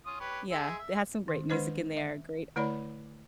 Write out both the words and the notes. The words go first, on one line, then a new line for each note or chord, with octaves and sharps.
Yeah, they had some great music in there, great
C#4 F4 D#6
G4 B4 C#5
G#3 G#4 E5
E5
D#3
D#3 G#3 D4 B4 C5 D#5
E5
D3 A3 E4 C#5 D5 B5